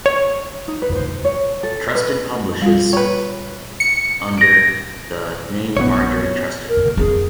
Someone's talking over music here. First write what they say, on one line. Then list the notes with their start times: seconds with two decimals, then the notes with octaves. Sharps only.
Trusted publishes under the name Marjorie Trusted.
0.06 C#5
0.68 D#4
0.82 B4
0.95 C5
1.25 C#5
1.63 A4
1.95 B4
2.62 G3 F4
2.93 B4 C#5
3.80 C#7
4.37 A#6 D7
5.77 A#1 E3 B3 C#5
6.68 A#4
6.97 F2 D4 G#4